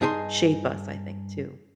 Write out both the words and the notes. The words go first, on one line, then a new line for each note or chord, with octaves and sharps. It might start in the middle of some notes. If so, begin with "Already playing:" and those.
shape us, I think, too.
G2 D#4 G#4 A#5 C6